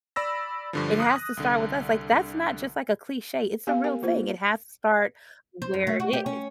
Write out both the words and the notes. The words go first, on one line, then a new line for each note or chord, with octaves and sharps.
it has to start with us. Like, that's not just, like, a cliche, it's a real thing. It has to start where it is.
D5 B5 E6 A#6
G2 D3 F3
D#6 F#6 A#6
C2 D3
B3 G4 F5 G#5
G4 A#4 G#5
A#3 F4 C5
C5
F#2
A3
F#4
G4
C#4